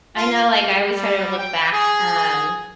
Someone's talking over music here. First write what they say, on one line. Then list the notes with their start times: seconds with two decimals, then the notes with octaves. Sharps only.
I know, like, I always try to look back, um,
0.16 F4
0.50 F4
0.88 G3
1.39 G5
1.72 G#4